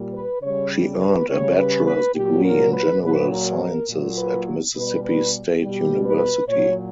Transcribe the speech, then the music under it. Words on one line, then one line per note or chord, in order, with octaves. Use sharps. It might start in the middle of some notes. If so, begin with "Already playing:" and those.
She earned a bachelor's degree in general sciences at Mississippi State University.
Already playing: A#2 G3
B4
C#3 G3 C#5
B4
C#3 G3 C#5
B4
B4
A#2 F#3 G4
A#4
B4
A#2 F#3 B4
A#4
A#4
A#2 F#3
B4
B2 G3 B4
B4
B2 G3 G4
B4
A#2 F#3 C#5